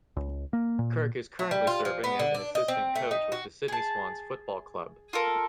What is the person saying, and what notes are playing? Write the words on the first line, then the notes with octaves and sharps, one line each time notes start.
Kirk is currently serving as an assistant coach with the Sydney Swans Football Club.
C#2
A#3
A#2
A3
G3
F4
F3
B3
D3
D4
D#5
C4
A3
D#4
F#4
G#4 A5
F4 A4 A#4